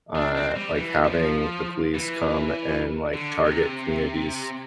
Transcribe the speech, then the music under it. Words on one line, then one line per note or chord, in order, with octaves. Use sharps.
uh, like, having the police come and, like, target communities
D4
C4
G3
E3
F3
E3
D3
C3